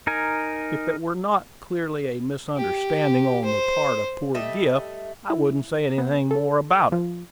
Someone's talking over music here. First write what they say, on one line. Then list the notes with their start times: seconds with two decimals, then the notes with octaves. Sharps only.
"If it were not clearly a misunderstanding on the part of poor Griff, I wouldn't say anything more about it."
0.07 D#4 A#4 G#5
2.57 G4
3.45 C5
4.34 G3 A3 D#5 E5
5.30 E4
5.98 B3
6.31 A4
6.92 F3